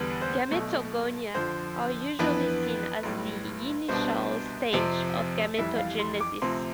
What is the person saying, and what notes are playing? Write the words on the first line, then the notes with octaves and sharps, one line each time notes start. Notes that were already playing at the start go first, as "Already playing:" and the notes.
Gametogonia are usually seen as the initial stage of gametogenesis.
Already playing: E2 D3 G3 B3 D4
C5
B1 B2 A3
F2 D3 F3 C5
F2 E3 B3 D4 B4
B1 A2 G3
C2 B2 B3 D4 C5
F2 C3 F3 C4
F1 F2 E3 G3 E5
F5
C6
D6
D2 C3 F3 C4 C6